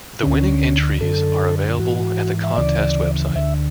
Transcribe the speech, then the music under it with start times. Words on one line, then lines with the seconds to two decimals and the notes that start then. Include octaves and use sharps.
The winning entries are available at the contest website.
0.23 D2 D3 C#4
1.01 F#2 D3 A4
1.79 G#2 E3 F#4
2.44 E5
2.56 D2 C#3 E3 D5
3.35 D2 D3 E5